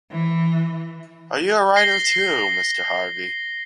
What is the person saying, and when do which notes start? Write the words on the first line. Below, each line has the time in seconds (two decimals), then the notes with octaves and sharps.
Are you a writer too, Mr. Harvey?
0.10 E3
1.76 A#6 C7 G7